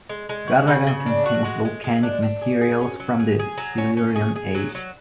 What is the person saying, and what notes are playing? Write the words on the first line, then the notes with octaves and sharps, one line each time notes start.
Garran contains volcanic materials from the Silurian Age.
G#3
G#3
F#4
C#3
C#3
D4
F#4
G#3
G#3
G#3
D4
D4
G#4
G#4
C#4
F#3
G#4
G#4
F#3
C#4
C#4
G#4
G#4
F#3
F#3